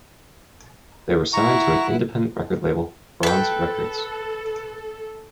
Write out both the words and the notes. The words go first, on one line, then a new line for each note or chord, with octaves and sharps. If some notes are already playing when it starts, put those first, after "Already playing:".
They were signed to an independent record label, Bronze Records.
E4 F#5 A#5 C#6
A4 B4 G5